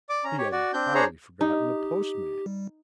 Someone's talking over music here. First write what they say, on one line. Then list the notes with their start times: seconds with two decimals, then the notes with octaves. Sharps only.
He had entirely forgotten the postman!
0.09 D5 D6
0.24 C#4 A#5
0.38 G4 C#5
0.52 F#4 D5
0.74 C4 D4 G6
0.95 D4 G#4 C5 C#5 A#5
1.41 D#4 G4
2.46 G3